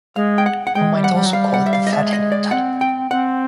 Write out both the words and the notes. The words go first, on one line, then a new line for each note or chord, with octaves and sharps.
One might also call it the fatheaded type.
G#3 F5
G5
F#5
F#5
G#3 G5
G3
F#5
G3
F#3
G3 F5
F#5
E5
F5
D#5
G#3 E5
D#5
D5
C4 F#5
G5
C4 F#5